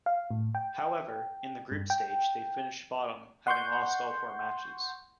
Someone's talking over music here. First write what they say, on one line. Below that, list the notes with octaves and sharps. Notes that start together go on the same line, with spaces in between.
However, in the group stage they finished bottom having lost all four matches.
F5
A2
G5
G2
G5
F#5 C6 C#6 G6